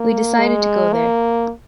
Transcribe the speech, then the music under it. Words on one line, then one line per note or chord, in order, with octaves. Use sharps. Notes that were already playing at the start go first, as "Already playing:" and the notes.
We decided to go there.
Already playing: A#3
G#3
A#3